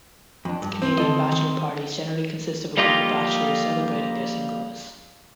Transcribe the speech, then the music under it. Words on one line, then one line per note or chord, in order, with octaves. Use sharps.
Canadian bachelor parties generally consist of a group of bachelors celebrating their singleness.
F2 D4
G2
C4
D3 A4 D#5
D#3
F3 G3 A#3 D#4 F4 G4